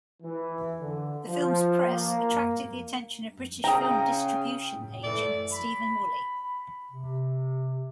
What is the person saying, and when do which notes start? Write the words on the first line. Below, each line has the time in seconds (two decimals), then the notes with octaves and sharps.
The film's press attracted the attention of British film distribution agent Stephen Woolley.
0.22 E3
0.80 D3
1.28 F3
1.87 A#3
3.64 C#3 G5 A#5 D#6
5.04 E3 A3 D5
5.52 B5
6.92 C3